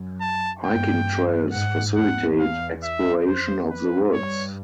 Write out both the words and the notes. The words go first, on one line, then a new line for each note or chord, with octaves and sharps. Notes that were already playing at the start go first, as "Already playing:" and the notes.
Hiking trails facilitate exploration of the Woods.
Already playing: F#2
A5
G2 G5
G#2 F#5
E2 F#5
F5
E5
F2 C5
B4
G2 C#5